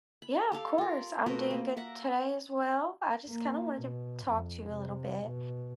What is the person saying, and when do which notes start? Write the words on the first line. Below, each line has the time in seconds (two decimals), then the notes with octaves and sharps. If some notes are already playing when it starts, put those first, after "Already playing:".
Yeah, of course, I'm doing good today as well, I just kinda wanted to talk to you a little bit
0.22 B5
0.52 G4 A4 F5
0.78 F4 A#4
1.26 B2 A3 A#4 B4
1.51 A#3
1.77 A#4 E5 F#5
3.28 A#3
3.81 B2
4.26 F2
4.66 C3
5.27 B2